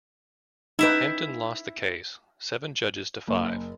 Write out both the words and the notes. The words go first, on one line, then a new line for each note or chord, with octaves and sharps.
Hampden lost the case, seven judges to five.
D#4 E4 B4 E5 G5
F#1